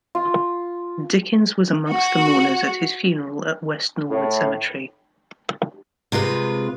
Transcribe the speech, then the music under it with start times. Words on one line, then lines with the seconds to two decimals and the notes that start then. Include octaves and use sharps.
Dickens was amongst the mourners at his funeral at West Norwood Cemetery.
0.15 F4
1.90 F#4
4.10 A2
6.12 C3 G#3 F4 B4